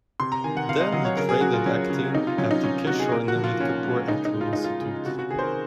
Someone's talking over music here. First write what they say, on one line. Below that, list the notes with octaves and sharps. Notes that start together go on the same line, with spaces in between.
Then he trained in acting at the "Kishore Namit Kapoor Acting Institute".
C3 C6
A#5
D#3 G#5
F#5
C3 F5
D#5
F#3 D#5
C#5
C#3 A#4
G#4
F#3 F#4
F4
F#3 C#4
C#3
C3 D#4
F4
F#3 C#4
D#4
F#3 C#4
C3 F#4
G#4
A#2 A#4
F#4
F3
F4
A#2 C#4
G#3
C#3 D#4
D#4
G#3
F4
G#3 D#4
F4
C#3
C3 F#4
F#4
D#3 G#4
C5
A#4